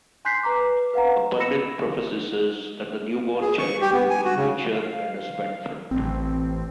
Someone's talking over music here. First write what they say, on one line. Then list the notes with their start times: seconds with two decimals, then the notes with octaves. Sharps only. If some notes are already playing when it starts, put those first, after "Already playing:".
A pandit prophesies that the newborn child will be a lecher and a spendthrift.
0.25 G#5 C6 F#6 G6 B6 C7
0.43 B4 A#5 D6
0.60 B4
0.94 B4 F5 F#5 A#5
1.40 B5 E6 A#6 C#7 E7
3.41 G#4
3.58 C#6
3.81 G4
3.93 B3
4.10 G#5
4.25 F#4
4.37 C#3
4.75 F5
5.91 A1 C4